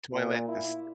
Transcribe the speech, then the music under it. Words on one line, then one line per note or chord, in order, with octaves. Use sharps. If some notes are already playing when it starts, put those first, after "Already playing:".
toilet, the s
A#2
E4